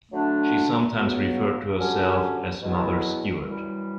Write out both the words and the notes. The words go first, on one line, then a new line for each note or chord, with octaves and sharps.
She sometimes referred to herself as Mother Stewart.
D3 F#3 A3 D4
C#2 C#3 F#3 B3
D3 F#3 C#4 G4
E2 B2 F#3 B3 E4
F#2 E3 G3